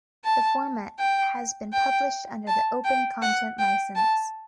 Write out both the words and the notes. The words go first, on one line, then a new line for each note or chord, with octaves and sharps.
The format has been published under the Open Content License.
A5
G5
G5
A5
G5
F#5
G5
A5